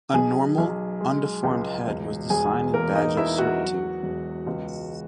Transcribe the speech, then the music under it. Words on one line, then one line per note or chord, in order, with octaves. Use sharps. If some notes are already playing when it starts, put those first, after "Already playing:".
A normal, undeformed head was the sign and badge of servitude.
B1 G#4 G#5
B1
G#3
C#2
E1
E1 G#4 G#5
E2 A#3 A#4
D#4 D#5
E2 E4 E5
F#4 F#5
F#3
E1
C#2